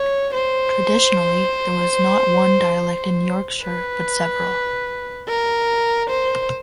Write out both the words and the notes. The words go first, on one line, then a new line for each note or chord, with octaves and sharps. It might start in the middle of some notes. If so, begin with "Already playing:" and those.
Traditionally, there was not one dialect in Yorkshire but several.
Already playing: C#5
C5
B4
A#4
C5